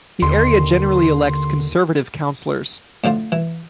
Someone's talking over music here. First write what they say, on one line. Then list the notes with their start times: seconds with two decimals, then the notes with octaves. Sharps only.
The area generally elects Conservative Councillors.
0.22 D#2 D3 C6
3.04 A2 D3 F3 F4
3.32 E3